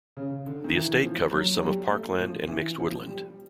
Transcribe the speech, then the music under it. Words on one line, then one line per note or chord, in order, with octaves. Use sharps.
The estate covers some of parkland and mixed woodland.
C#3
D3
D#3
E3
F3
F#3
F#3
G3
A3
F3
E3
F3
G3